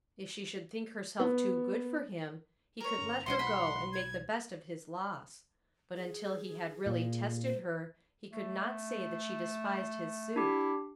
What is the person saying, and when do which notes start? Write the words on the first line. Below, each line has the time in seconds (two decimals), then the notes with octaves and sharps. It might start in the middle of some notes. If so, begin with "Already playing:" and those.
If she should think herself too good for him, he could let her go and make the best of his loss; but until he had really tested her he could not say that she despised his suit.
1.20 B3
2.81 A#4 C#5 A#5
2.98 G1 C#4
3.26 B1 F#3 G#3 C5 D#5 F#5 C6
3.39 F#5 B5
3.93 G#6
5.98 G#4
6.86 A#2
7.47 C5
8.31 A3
10.36 D4 E4 G4